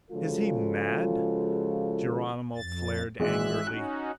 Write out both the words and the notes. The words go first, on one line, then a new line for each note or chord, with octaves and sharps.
"Is he mad?" Geronimo flared angrily.
C#3 F3 G#3 F4 F#4 A4
F2 A6
G#1 E3 G#3 E5 F#6
C#4 D#4 F#4 F#6